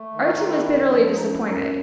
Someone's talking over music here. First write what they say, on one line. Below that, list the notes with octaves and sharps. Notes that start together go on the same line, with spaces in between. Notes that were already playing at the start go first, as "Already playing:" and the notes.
Archie was bitterly disappointed.
Already playing: A3
D#3
D#4
D#3 D#4
D4 E4
F#2
F3
F#2 D#4
D4 E4
F#2
D#4 F4